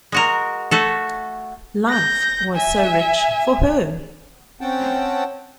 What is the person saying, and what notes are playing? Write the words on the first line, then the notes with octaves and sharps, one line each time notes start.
Life was so rich for her.
G#3 F#4 A#4
A3 F#4 A4
G6 A#6
E5 G#5
C4 C#4 F#5 G5 A5